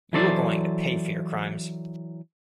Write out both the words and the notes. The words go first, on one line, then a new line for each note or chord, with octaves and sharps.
You are going to pay for your crimes.
E3 F#3 A4 C5 D5